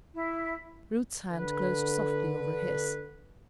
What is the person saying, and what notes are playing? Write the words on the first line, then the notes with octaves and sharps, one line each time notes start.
Ruth's hand closed softly over his.
E4
D3 B4